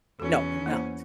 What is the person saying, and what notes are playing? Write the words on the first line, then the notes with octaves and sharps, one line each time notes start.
No, we're not,
E2 C#4 F#4 A4
A#3 E4 C5